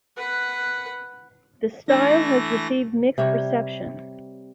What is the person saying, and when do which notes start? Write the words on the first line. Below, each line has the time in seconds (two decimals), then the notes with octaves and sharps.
The style has received mixed reception.
0.17 B4 F#5
1.88 E3 A3 D4 A#6
3.18 C3 G3 C#5